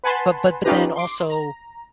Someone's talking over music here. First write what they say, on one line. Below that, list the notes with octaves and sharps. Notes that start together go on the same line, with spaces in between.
but but but then also
B4 F#5 G#5 A5 B5 C6
C#4 D#4 F4 G4 B4 A#5
C6 D6
A#5